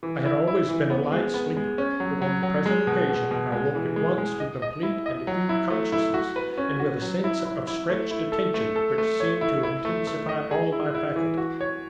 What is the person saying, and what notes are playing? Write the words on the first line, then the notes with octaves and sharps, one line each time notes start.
I had always been a light sleeper, but on the present occasion I woke at once to complete and acute consciousness, and with a sense of stretched attention which seemed to intensify all my faculties.
E3
E4
E4
E3
B3
G#3
B3
G#3
C#4
F#3
F#3
F#3
G#3
B2
B2
B2
G#3
E3
G#3
G#3
D#5
D#5
E4
D#5
F#3
E4
A3
E4
F#4
B4
C#4
F#4
F#3
E4
E4
E4
A3
E4
A4
A3
A4
A3
C#5
E4
E4
A3
A3
D#5
G#4
E4
E4
E3
F#4
C#5